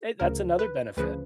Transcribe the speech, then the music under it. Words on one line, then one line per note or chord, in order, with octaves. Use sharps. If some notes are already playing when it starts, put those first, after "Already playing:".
Hey, that's another benefit.
D2 C#3 F3 A#4
B4
D2 C#3 F3 B4